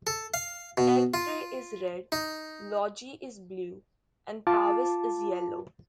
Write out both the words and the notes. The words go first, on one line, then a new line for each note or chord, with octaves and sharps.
Airthrey is Red, Logie is Blue and Powis is Yellow.
A4
F5
B2
F4
D#4
F4 A5 D6